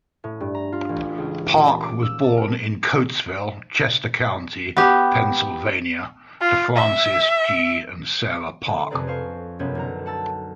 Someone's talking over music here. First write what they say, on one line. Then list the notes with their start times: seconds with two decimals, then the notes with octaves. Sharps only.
Parke was born in Coatesville, Chester County, Pennsylvania, to Francis G. and Sarah Parke.
0.24 A2
0.40 G2
0.55 A#5
0.72 F4
0.89 A1
1.18 C#2
1.54 A#2
1.84 D6
2.02 E6
2.24 A5
2.37 A#4
4.77 B3 G4
6.41 F4
6.76 E5
8.66 D3
8.90 F2 C3 G#4 B4 D5 A#5
9.07 G#4 C5 F5 C#6
9.59 C#2 F#2 C3 G#3 B3 C#4
9.75 B1 D3 A#5
10.06 F#5 A5 E6 A6